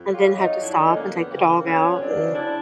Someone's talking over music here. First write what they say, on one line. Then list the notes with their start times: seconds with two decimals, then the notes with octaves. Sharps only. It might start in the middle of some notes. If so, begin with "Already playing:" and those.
and then had to stop and take the dog out and
Already playing: F2
0.13 F#3 F4 G4
0.37 F2 D#4 F4
0.60 F2 D4 E4
0.72 D4
0.78 C#4 D#4
0.84 D3
0.95 A#3
1.07 F#3
1.13 B3
1.30 C#3 A#3 C4
1.53 F2
1.65 B3 C#4
1.77 F2
2.00 F#3 C4 D4
2.24 C#3
2.35 D4 E4